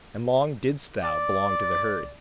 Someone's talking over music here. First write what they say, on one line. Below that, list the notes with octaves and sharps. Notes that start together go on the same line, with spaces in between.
And long didst thou belong to the herd.
D5